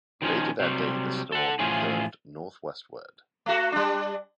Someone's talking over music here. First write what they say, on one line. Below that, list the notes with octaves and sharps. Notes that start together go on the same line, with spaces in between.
Later that day, the storm curved northwestward.
D#3 F3 C#4 D#4
C3 F#3 G3
A4 F#5
A2 E3 F3 C#4 F4 G#4
A3 F#4
G3 D4